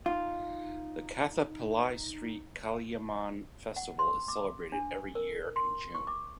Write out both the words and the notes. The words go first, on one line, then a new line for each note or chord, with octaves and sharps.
The Kathapillai street Kaliamman festival is celebrated every year in June.
D#4 F4
F#5
C6
D6
D4
A#4
C6
C#6
D6